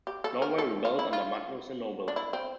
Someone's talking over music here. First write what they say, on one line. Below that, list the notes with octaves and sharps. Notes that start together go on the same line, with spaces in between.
Norway rebelled under Magnus the Noble.
G4
A4
A#4
A4
F4
E4
F4
D4
E4
C4